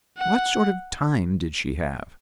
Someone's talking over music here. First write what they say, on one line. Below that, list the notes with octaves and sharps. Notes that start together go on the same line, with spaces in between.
What sort of time did she have?
F#5